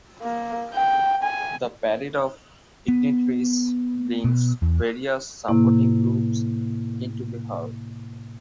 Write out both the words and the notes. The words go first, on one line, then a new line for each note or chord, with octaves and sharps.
The "Parade of Ignitaries" brings various supporting groups into the hall.
A#3
G5
G#5
B3
B2
E2
A2 C3 A#3 E4